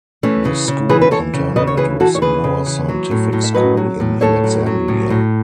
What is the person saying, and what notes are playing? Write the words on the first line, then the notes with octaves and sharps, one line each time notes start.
The school contended with the more scientific school in Alexandria.
E3 A3 C#4
C#3
C#3
E3 G#4 B4
B4
E3 A4 C#5
C#3
C#3 B4 D#5
C#5
E3 G#4 B4
E3 F#4 A4
C#5
C#3 G#4 B4
C#3
E3
F#3
A2
A2
E5
F#3 B4 D#5
F#3
A2
A2 A4 C#5
F#3
F#3
A2
A2